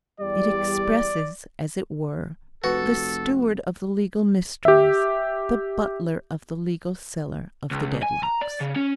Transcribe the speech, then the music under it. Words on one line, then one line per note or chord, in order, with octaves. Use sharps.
It expresses, as it were, the steward of the legal mysteries, the butler of the legal cellar, of the Dedlocks.
E2 G3 D5
F1 F#4 A4 B4
G4 E5
C#2
G#5
A#5
D5
C#3
C#4